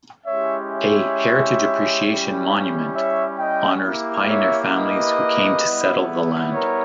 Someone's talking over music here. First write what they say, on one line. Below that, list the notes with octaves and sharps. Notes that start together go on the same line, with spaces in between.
A "Heritage Appreciation Monument" honors pioneer families who came to settle the land.
G#3 C#4 E4 G4 C#5 E5
C#5 E5
G3 C#4 E4 G4
C#5 E5
D#5 G5
A#3 E4 G4
C#5 E5
B4 D#5
G3 B3 E4
A#4 C#5